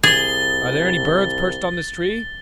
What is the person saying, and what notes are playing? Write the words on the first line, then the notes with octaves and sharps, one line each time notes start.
Are there any birds perched on this tree?
C2 G#4 A6 G7